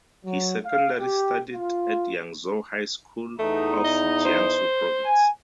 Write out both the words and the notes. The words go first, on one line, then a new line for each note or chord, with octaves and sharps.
He secondary studied at Yangzhou High School of Jiangsu Province.
F#3
F5
G4
F4
E2 A3 D#4
D#5
C5
G#5